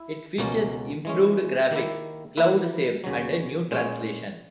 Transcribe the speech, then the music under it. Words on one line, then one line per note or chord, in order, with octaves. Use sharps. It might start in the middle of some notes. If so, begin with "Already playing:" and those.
It features improved graphics, cloud saves and a new translation.
Already playing: E4
C#2 B2 A#3 C#4
E3 G#3 C#4
D#3 A#3 E4
E3 A#3 E4 B4
D#2 C#3 F#3
A#2 G#3 C#4